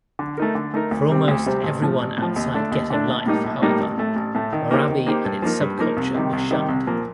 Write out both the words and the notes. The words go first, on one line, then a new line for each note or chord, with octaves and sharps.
For almost everyone outside ghetto life, however, marabi and its subculture were shunned.
D3
A3 D#4 A#4
D3
A3 D#4 A#4
D2
C3 G3 C4
D2
C3 G3 C4
A1
A2 F3
A1
A2 F3
D#2
D3 A3 D4
D#2
D3 A3 D4
A#1
A2 G3 A#3 D#4
A#1
A2 G3 A#3 D#4
A1
A2 A3
A1
A2 A3
D#3
A#3 D#4 G4 C5
D#3
A#3 D#4 G4 C5
G2
F3 A#3 D#4 A#4
G2
F3 A#3 D#4 A#4
C2
C3 D#3 G3
C2
C3 D#3 G3
C2
A#2 F3 A#3